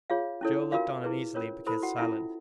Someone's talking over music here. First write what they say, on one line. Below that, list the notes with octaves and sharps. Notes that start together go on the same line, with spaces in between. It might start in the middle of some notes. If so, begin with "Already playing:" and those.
Joe looked on uneasily, but kept silent.
F4 G#4 C#5 F5
C#4 E4 A4 C#5
D4 F4 F#4 A#4 F5
E4 G#4 B4
C#4 F4 A#4 C#5
E4 A4 B4 C5 B5
F#4 F#5
C#4 E4 F4 A4 E5